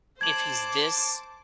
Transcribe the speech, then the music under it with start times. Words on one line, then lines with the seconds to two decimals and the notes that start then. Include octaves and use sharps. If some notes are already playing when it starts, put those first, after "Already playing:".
If he's this
0.21 C5 A5 D6 G#6 F#7